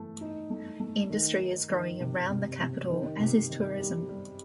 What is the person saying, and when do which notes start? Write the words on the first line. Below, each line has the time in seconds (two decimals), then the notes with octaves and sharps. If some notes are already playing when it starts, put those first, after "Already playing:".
Industry is growing around the capital, as is tourism.
Already playing: E3 A3
0.21 D#4
0.50 A3
0.80 A3
1.10 D#3
1.40 D#4
1.70 D#3
2.00 C3
2.29 C3
2.59 C3
2.89 D#3
3.20 C3
3.49 D#3
3.80 G3
4.09 G3